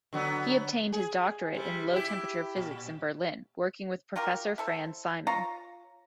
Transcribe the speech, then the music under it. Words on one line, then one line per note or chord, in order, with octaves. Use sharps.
He obtained his doctorate in low-temperature physics in Berlin, working with Professor Franz Simon.
D3 F#3 B3
G#4
C3 G3
E4 G4
A#2
F#3 F4 G4 A#4
E4 A4 C5
F4 C#5 A#5